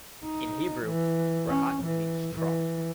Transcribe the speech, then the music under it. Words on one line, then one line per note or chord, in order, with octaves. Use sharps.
In Hebrew, "rahat" means "trough".
D#4
E3
C#4
E3
E3